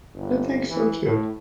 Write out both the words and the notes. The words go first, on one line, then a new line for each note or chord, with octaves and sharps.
I think so too.
G1
E3
A2